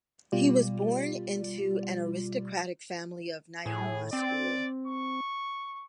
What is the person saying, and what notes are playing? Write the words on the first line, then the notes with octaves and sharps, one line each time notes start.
He was born into an aristocratic family of Nyingma school.
B2 G3 F4 G4 D5
A2 G#4
C4 D5
C#6